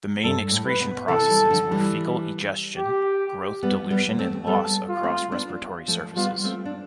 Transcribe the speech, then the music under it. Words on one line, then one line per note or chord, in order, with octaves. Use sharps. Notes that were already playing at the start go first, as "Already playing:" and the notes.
The main excretion processes were fecal egestion, growth dilution and loss across respiratory surfaces.
G2 A4
A2
B4
B2
C3 E3 A4
E3 G3
D3 F3
E3 G3
G4
G3 B3
G3 B3
A3 C4
G3 B3 A4
F4
A3 C4
B3 D4
F3 A3
G3 B3 F4
A3 C4
D4